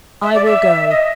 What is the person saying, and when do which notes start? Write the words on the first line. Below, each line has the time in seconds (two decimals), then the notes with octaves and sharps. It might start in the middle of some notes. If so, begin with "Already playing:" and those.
I will go.'
0.23 E5
0.34 D5
0.45 E5
0.90 D#5